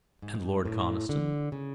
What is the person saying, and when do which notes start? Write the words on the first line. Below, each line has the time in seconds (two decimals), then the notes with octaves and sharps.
"And Lord Conniston?"
0.22 G#2
0.65 A2
1.09 D3
1.52 C#3